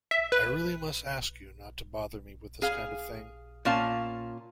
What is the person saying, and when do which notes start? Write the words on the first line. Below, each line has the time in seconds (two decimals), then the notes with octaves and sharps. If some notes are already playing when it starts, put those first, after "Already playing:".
I really must ask you not to bother me with this kind of thing.
0.11 E5
0.32 B4
2.62 G#4 F5
3.65 A#2 C#4 F5 A5